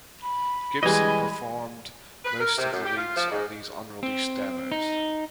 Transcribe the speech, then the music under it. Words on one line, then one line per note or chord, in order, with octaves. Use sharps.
Gibson performed most of the leads on these unreleased demos.
B5
E3 G3 G#3 D#5 G#5
B4
A#4
C3
F#2
G4
F4
F3
G#2
C4
D#4